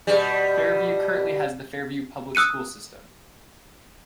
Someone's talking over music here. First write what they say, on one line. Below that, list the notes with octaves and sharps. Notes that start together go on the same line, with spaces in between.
Fairview currently has the Fairview Public School system.
B2 G3
D#6 E6 F#6 C#7 D#7